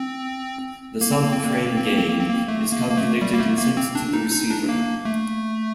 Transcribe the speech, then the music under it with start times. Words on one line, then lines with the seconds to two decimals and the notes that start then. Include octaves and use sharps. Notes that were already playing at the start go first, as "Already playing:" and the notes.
The sub frame gain is calculated and sent to the receiver.
Already playing: C4
1.01 A#3
1.12 C4
1.23 A#3
1.33 C4
1.44 A#3
1.54 C4
1.66 A#3
1.76 C4
1.87 A#3
1.97 C4
2.09 A#3
2.19 C4
2.30 A#3
2.48 A3
2.72 A#3
2.91 A#3
2.97 A3
3.22 G3
3.34 A#3
3.40 A3
3.58 A#3
3.77 C4
3.95 D4
4.13 D#4
4.31 D#4
4.50 D4
4.69 A#3
5.05 A3